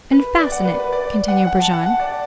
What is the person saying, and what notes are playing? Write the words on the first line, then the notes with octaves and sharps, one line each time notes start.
"And fasten it," continued Brujon.
B4
D5
F#5
B4
B4
D5
F#5
F#5
A5
F#5
F#5
D5